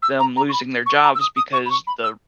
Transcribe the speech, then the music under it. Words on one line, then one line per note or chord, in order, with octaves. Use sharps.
them losing their jobs because the
E6
A#5
A#5
C#6
B5
C#6
A#5
E6
D#6
D#6
C#6
B5
C#6
B5
E6